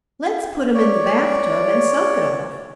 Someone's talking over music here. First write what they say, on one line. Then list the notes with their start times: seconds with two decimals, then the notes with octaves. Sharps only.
"Let's put him in the bath tub and soak it off."
0.74 C#5 D5